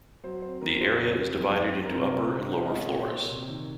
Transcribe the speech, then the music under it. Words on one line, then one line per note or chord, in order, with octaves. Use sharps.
The area is divided into upper and lower floors.
F#3 C5
C4 C5
F2 A#4
F2 C5
C#3 C#5
C4
F#2
F#2
C4 C5
A#4
C3
A#4
C4
C4
C#4 C5
D#5
G#2
C#5
A#2 C#5
C5
A#2
C#5
C3
D#3